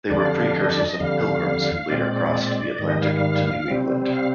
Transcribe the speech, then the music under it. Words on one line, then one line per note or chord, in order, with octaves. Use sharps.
They were precursors of the Pilgrims who later crossed the Atlantic to New England.
F2 D3 G3 D4 D5
F5
F5
D#5
D5
D#5
F2 D3 G3 F5
A#2 G#3 C4 D5
G#2 D#3 G3 D#5
F5
C3 G3 C4
F5